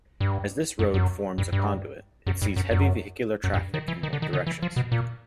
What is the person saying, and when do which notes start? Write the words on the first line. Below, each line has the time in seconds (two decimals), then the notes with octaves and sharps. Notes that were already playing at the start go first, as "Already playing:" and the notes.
As this road forms a conduit, it sees heavy vehicular traffic in both directions.
0.20 G2
0.79 F#2
0.94 F#2
1.38 G2
1.52 G2
2.27 F#2
2.42 G2
2.56 F#2
2.71 F#2
3.44 F#2
3.54 G2
3.74 D#3
3.88 E3
4.03 D#3
4.13 D3
4.22 D#3
4.33 D3
4.47 E3
4.63 F3
4.76 B2
4.92 A#2